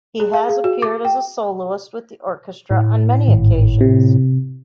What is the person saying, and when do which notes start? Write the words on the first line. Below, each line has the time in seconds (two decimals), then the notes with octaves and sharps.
He has appeared as a soloist with the orchestra on many occasions.
0.20 G#4
0.34 F5
0.49 G#4
0.64 F#4
0.82 D6
1.05 G5
2.71 A2
3.28 G#1
3.81 C3